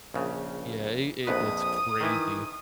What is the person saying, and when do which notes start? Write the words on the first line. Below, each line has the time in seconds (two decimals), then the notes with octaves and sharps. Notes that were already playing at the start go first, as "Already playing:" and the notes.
Yeah, it it gets crazy.
0.14 A#1 C#3
1.27 A#1 F2 B4 D#6
2.01 D#3 E3 E4